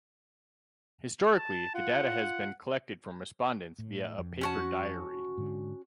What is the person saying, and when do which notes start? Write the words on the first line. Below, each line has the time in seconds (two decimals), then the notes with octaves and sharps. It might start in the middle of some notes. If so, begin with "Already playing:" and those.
Historically, the data has been collected from respondents via a paper diary.
1.36 A5
1.75 F4 F#5
3.78 A2
4.18 F2
4.41 C#4 F#4 A5
5.38 G#2 D3